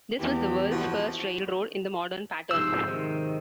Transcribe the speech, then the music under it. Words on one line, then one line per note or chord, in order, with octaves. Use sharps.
This was the world's first railroad in the modern pattern.
E2 E3 G4
F3 E4 F#4
G#2 C3 F3 C5 E6
C3 D#3